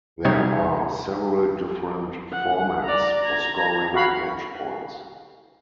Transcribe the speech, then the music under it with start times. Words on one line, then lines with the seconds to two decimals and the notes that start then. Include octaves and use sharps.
There are several different formats for scoring match points.
0.25 C3 G3 D#4 C#5 G#6
2.32 F#5
2.85 D5 A#5
3.23 A#5 G#6
3.94 F#4 F5 B5